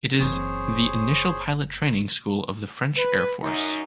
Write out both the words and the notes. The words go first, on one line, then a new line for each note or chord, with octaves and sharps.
It is the initial pilot training school of the French Air Force.
F#1 E3 C4 G#4 C5 C#5
B4
F#2 D#4